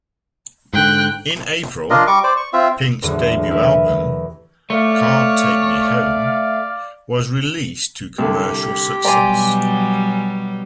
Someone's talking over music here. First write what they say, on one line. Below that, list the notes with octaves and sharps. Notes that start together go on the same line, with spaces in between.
In April, Pink's debut album, "Can't Take Me Home", was released to commercial success.
G#2 D3 G5 F#6
D4 F4 A#4 D#5
G3 C#6 D6
C5 D5
C#6
C4 F4 E5
A#1 E2 A2 D3 E3 F#3
E4 G4 A#4 B4 E5
A3 C#5 D5 F5
C2 D3 G4
B2 F#3 G3 D5 G5 G#5 A#5 C6